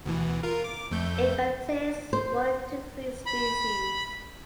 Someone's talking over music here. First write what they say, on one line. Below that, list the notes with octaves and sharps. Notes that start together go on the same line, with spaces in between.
It contains one to three species.
D2 B2 E3
F4 A#4
D6
F2 A3 G6
C5
B5